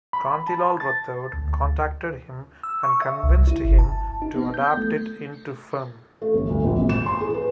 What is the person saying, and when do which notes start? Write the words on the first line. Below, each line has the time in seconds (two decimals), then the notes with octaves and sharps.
Kantilal Rathod contacted him and convinced him to adapt it into film.
0.13 B5
0.48 A5
0.80 A6
1.33 D2
2.63 E6
2.83 C#6
3.02 E5
3.23 C2
3.47 E4
3.64 G1
3.79 A5
4.22 D#4
4.36 B3
4.54 G6
4.77 A3
6.22 A3
6.34 G1
6.49 D2
6.64 A#1
6.76 G#1
6.89 E7
7.06 C6
7.21 G#4
7.34 B4